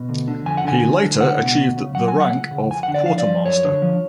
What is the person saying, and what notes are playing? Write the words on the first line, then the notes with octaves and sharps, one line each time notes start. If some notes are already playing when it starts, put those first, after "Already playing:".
He later achieved the rank of quartermaster.
Already playing: B2
D2
D3
F2 G#5
F#5
D3 G#5
D2
D3
C#2 F#5
B2
D2
C#3
F#3 F#5
G#5
F#3
F#5
C#2
C#3
F2 G#5
F#5
D3
D5
F3 F5
D5
F3
F#2 C#5
D3
F3